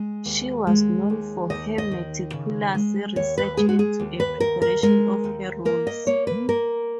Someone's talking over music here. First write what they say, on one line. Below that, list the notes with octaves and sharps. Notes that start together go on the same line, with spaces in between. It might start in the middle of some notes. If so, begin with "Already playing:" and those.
She was known for her meticulous research into and preparation of her roles.
Already playing: G#3
D#2
G#3
D#2
D#2 D#5
D#5
D#3
C#3
G#3
D#2 C#5
B4
G#3 G#4
F#4
G#4
D#2
B4
D#2 A#4
A#4
G#3 A#4
D#2
A#3 A#4
D#5
A#3 C#5
B4
A#3 A#4